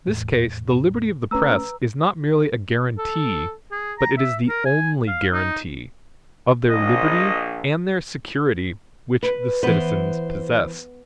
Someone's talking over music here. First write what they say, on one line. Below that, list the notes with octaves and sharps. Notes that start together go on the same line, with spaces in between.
In this case the liberty of the press is not merely a guarantee, but it is the only guarantee, of their liberty and their security which the citizens possess.
E2 A2
A3 C#4 B4 A#5 E6
A4
G#4
A#5
E5
A#4
G#5
F5
D#4
A#1 D#5
B4
E3 B3 B4 C5